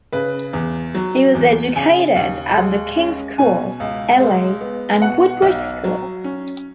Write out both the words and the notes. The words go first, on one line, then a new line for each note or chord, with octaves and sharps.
He was educated at The King's School, Ely, and Woodbridge School.
C#3 B4
E2
F#3
E2
C#3 G#5
D#2
G#3
C#4
B2 G#5
C#2
G#3
B3
B2 F#5
B1
F#3
C#4